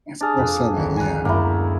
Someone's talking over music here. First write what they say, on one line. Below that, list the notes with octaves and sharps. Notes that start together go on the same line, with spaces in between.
It's for selling, yeah.
D4 G#4 D#6 F6 A6
F2 B4
G#1 D2
G#5 A#5 F#6
F#2 G#3 A#3 E4 G6